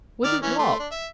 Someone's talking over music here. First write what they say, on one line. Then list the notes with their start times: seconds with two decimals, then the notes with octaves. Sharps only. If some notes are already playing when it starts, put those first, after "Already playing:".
"Wouldn't what?"
0.24 D#3 D5 F6
0.42 E3 C#4
0.58 A3 C6
0.79 D4
0.91 E5